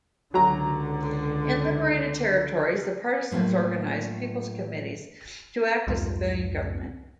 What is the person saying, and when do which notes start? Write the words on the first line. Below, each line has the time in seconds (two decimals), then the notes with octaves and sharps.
In liberated territories, the Partisans organised People's Committees to act as civilian government.
0.34 C#2 D3 F#3 A#5
3.31 A2 F3 F#3 A#3 D4
5.87 C2 F2 G#2 F3